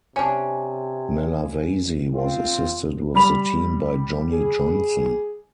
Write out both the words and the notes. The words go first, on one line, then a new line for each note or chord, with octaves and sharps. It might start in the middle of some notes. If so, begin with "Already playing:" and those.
Malavasi was assisted with the team by Johnny Johnson.
C3 C#4 D4 G#5
C4 F4
G3 B5 F7
G#4